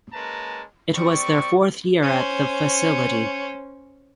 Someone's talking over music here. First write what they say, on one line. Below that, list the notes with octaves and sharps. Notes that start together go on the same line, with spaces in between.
It was their fourth year at the facility.
G#3 A#3 C#4 B4 A5 A#5
G3 C4 D5 C#6
C#4 C5